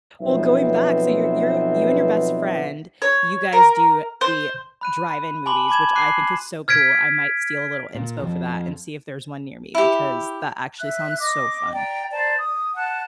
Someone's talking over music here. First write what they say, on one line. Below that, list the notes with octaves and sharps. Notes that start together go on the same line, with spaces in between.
well, going back, so you're you're you and your best friend, you guys do the drive-in movies, which I think is so cool, I might steal a little inspo for that and see if there's one near me because that actually sounds so fun.
B1 F3 B3 C4 E5
C#5
A#4
C5
B5 F#6 D#7
G#5 A5 B5 C6 D6 F#7
A5 B5 D6 G#6 E7
D6 F#6 C7 D#7
F6 G#6 B6 D7
A#2
F2 F3
E4 G4
E5 F#6
D#5 D6
D5 G5 A#5
C5 D5 A5 A#5
D#6
F#5 A5 F#6